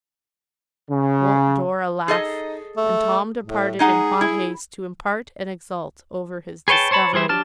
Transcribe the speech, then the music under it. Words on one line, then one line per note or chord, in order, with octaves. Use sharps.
Won't Dora laugh?' And Tom departed in hot haste to impart and exult over his discovery.
C#3
D#4 G#4 A4 D#5
A3
A2
G#3 D#4 G#4 F#5
E4
G#4 B4 C#5 G5 A5
C5 C#5 A5 B5
E3 G3 G#4 C5 E5
F#3 D4 G4 A5 F6